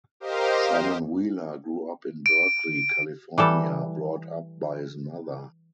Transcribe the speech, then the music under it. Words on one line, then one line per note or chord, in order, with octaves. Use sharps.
Shannon Wheeler grew up in Berkeley, California, brought up by his mother.
G4 A#4 C5 D#5 F5
D7
E3 G3 A4